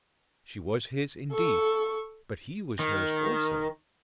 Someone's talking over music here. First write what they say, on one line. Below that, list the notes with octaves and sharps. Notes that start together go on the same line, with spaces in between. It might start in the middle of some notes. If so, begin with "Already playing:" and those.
She was his indeed, but he was hers also.
A4 C#6
D#3